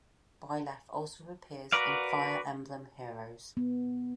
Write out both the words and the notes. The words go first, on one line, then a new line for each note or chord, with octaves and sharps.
Byleth also appears in "Fire Emblem Heroes".
F#4 A#4 B4 D5 F5
B3